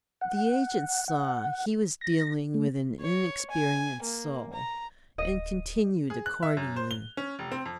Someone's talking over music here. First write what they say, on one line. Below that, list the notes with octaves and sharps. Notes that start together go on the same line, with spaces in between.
The agent saw he was dealing with an inexperienced soul, and continued accordingly.
F#5
F#5
A#6
A3
C#5
G#5
A#3
A#5
D1 D#5
G#4
F#6
E5
F#2
C5
G7
C#4
F1
C4
F2